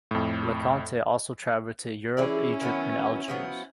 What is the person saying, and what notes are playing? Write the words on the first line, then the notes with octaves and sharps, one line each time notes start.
LeConte also traveled to Europe, Egypt and Algiers.
F2 A2
E3 C#4 E4 G#4 D5
D#3 F#3 B3
F3 F#3 B3